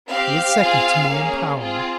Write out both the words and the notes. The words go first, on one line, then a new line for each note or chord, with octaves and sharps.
He is second to me in power.
C4 G4 F5
C4 F4 G#4
A#3 C#4 G#4
C4 F4 G#4